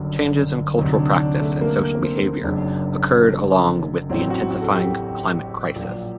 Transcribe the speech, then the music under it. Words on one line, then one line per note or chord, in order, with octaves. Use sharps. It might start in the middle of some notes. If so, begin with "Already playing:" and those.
Changes in cultural practice and social behaviour occurred along with the intensifying climate crisis.
Already playing: G1 F#2 F#3 D4
D2 C3 F#3 D#4
D4
D4
A3
A3
A#3
A#3
C4
F#1 F#2 D#3 F#3 D4
A1 A2 F#3 C4
F#4
F#4
A4
G4
A#1 A#2 F#3